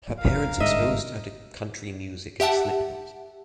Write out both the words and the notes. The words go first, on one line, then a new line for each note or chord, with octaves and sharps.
Her parents exposed her to country music and Slipknot.
A#4 F5
G1 G#2 D4 D#5 E5
G4 E5 F#5 A5